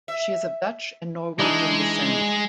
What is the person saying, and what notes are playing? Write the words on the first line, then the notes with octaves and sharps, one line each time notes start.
She is of Dutch and Norwegian descent.
E5
E3 G#3 D4 D#4